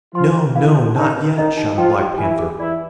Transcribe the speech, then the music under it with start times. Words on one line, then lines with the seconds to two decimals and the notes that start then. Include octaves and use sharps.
"No, no, not yet!" shouted Black Panther.
0.14 F3 F4 C6
0.35 C5
0.55 E3 E4 F5
0.76 E4
0.96 D#3 D#4 A5
1.16 B4
1.37 D#3 D#4 D#5
1.57 D#4
1.77 F3 F4 G5
1.98 G4
2.18 E3 E4 G#5
2.39 G#4
2.59 E3 E4 D5